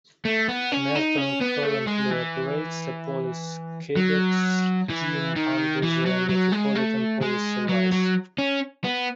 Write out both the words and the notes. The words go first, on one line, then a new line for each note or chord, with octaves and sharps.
Merton currently operates a Police Cadet scheme under the Metropolitan Police Service.
A3
B3
C#4
D#4
C#4
B3
A3
G#3
E3
F#3
E3
D#3
E3
F#3
F#3
G#3
A3
G#3
F#3
F#3
C#4
B3